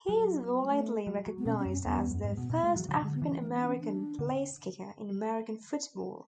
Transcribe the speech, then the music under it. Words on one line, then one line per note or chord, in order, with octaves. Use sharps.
He is widely recognized as the first African American placekicker in American football.
F#3
G#3
A3
F#3
F#3
B3
B2 C#4
C#4
F#2
C#4
E2 B3
E2
F#2
G#2
B2
B2
G#3 A3
E3 F#3
D3 F#3
C#3
D3 G#3
B3
E3
C#4
A3
B3
D4
C#4
D4
D3